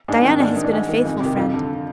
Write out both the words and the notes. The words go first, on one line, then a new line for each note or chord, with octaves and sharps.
Diana has been a faithful friend.
G#2 D4
D#3 C4
G#2 D4
D#3 D#4
D4
G#2 D#4
D#3
F2
C3 D#3 G4
F2 F4
D3